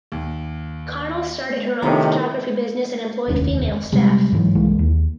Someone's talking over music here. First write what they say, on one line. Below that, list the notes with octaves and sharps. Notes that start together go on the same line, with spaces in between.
Connell started her own photography business and employed female staff.
D#2
A2 C3 D#3 F3 B3 A#5
F1 D#2 C#4 D4
C3 G3 G#3
G#2 E3 F#3
C2 E3 G#3 A#3
D#2